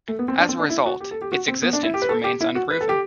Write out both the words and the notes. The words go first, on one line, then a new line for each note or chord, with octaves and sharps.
As a result, its existence remains unproven.
A3
B3
C4
D4
C4
D4
E4
F#4
G4
A4
G4
F#4
C4
B3
D4
E4
G4
B4
A4
G4
E4
F#4
B4
A4
G4